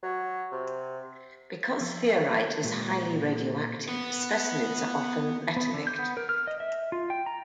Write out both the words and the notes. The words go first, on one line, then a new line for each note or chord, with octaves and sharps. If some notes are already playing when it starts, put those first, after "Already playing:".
Because thorite is highly radioactive, specimens are often "metamict".
F#3
C3
F3 B3 E6
G#5
A#2 G#3 G4
B3
B3
D3
G6
B3
A#4
F6
D#5
E5
F4
G5
A#5